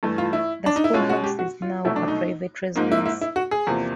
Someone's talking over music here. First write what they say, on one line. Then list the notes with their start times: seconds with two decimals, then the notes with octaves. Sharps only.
The school house is now a private residence.
0.03 G2 E3 A3
0.18 F4
0.33 E4
0.66 D4
0.76 D#4
0.84 E4
0.94 B2 G#3 C#4 F4
1.09 F#4
1.24 G4
1.39 F#4
1.62 F4
1.85 C2 B2 F#3 A3 E4
1.96 D4
2.08 D#4
2.76 G#2 F3 A#3 D#4
2.92 E4
3.06 E4
3.21 E4
3.36 F#4
3.51 G#4
3.67 E2 C3 F3 A#3